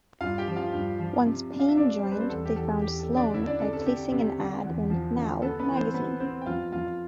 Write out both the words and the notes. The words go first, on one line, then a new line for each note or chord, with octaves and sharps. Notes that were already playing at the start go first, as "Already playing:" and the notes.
Once Payne joined they found Slone by placing an ad in "Now" magazine.
G2 F4 F5
G4 G5
F3
F4 F5
G2
F3
C3
D4
F5
E5
C3 D4 D5
G3 C5
B4
C4 C5
E2 A4
G4
E2 A4
E2 G4
A4
D3
D4 D5
D2 E4 E5
D4 D5
C3 A4
A4
C3 G4
C3
D3
E2
F3
D3
B3 A4
B3 B4
E3
C4 C5
B3 B4
B3 C4 C5
G5
F2 F4 F5
F2 F4 F5